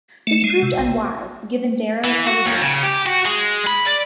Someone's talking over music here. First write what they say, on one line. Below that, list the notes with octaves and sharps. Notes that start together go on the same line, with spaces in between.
This proved unwise, given Darro's heavy drinking.
A3
G#3
C3
A#1
E3
F#4
D#2
C#3
G4
F#4
G#3
B5
D5